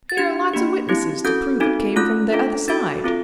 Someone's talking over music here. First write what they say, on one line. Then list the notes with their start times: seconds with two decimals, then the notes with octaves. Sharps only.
"Here are lots of witnesses to prove it came from the other side."
0.10 A6
0.17 D4 G4 G#6
0.53 A#3 D4 G4
0.89 C4 E4 G4
1.24 C#4 F#4 A4 G6
1.60 C4 D#4 F#4 A4
1.96 A3 C#4 F4 F#6
2.32 D4 F4 A4
2.68 D4 F#4 A4 A6
3.04 C4 F4 A4